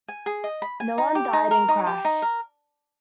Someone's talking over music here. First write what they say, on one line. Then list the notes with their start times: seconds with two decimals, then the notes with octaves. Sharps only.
No one died in crash.
0.08 G#5
0.26 G#4
0.44 D#5
0.62 B5
0.80 G#5
0.98 D#4
1.15 G4
1.33 D#4
1.51 A#4
1.68 D#4
1.87 G4
2.05 D#4
2.22 A#4